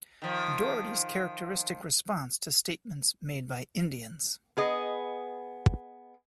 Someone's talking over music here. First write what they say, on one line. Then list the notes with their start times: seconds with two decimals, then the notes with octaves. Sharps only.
Daugherty's characteristic response to statements made by Indians.
0.22 D#3 F3
4.57 B3 G#4 D#5